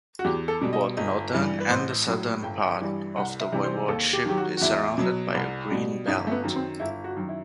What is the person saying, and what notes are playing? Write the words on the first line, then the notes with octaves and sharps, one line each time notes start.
Both northern and southern part of the voivodeship is surrounded by a green belt.
F#4
E2 G4
A4
B2 G3
D#5
G1 D#5
G2 E3 G3
B4
A1 C5
A2 F#3
G1 G5
G2 E3 G3
C2 F#5
E5
C3 E3 G3
C5
D#2 A4
G4
D#3 F#3 G4
F#4
F#4
E2 E4
B2 F#3
C2
B2 G3
G1 D#4
A3
B3
F#2 D#3 F#3
C4
G1 E4
F#4
F#2 D#3
E4